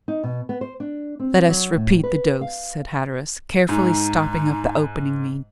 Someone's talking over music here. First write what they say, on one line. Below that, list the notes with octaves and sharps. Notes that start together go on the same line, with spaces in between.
"Let us repeat the dose," said Hatteras, carefully stopping up the opening meantime.
D#4
B2
B3
C5
D4
C4
F#3
A2
B4
F5
G#2 D#4